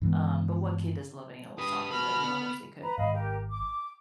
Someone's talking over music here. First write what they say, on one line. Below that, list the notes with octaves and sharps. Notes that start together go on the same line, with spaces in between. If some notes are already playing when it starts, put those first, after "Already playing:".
um, but what kid doesn't love an animal to talk, anyway? We all wish they could,
G2 E3 G#3 B3
G4 B4 D#6
F#4 B4 B5 F6
B3
B4 A#5 B5
G#1 D#5 F5 B5
G4 A#4
D6